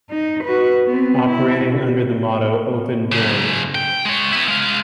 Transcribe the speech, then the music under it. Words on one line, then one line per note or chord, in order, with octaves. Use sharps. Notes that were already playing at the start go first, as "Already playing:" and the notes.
Operating under the motto Open Doors.
D#4
F#4 B4
B3 C4
E4
B2
F#2 C#3
G5
G#3 C#5
B3 E4
G#3 F5